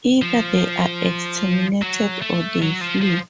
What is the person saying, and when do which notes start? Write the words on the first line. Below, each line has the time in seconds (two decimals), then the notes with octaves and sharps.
Either they are exterminated or they flee.
0.22 F3
1.82 F#3
2.22 A3
2.62 F#3
2.81 F3
3.02 F3